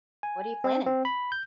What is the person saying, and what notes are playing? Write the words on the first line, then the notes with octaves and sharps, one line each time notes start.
what are you planning?
G#5
C4
C4
B5
G6